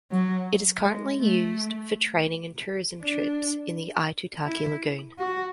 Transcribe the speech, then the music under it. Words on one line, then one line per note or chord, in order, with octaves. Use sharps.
It is currently used for training and tourism trips in the Aitutaki lagoon.
F#3
G#3
A3
D4
E4
F#4